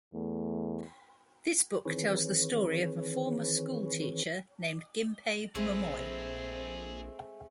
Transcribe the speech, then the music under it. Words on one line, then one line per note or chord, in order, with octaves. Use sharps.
This book tells the story of a former schoolteacher named Gimpei Momoi.
E2 A3
D#3 E3 C4 G#4 B4 C#5
A#1 G#3 A3 C4 G#4 B4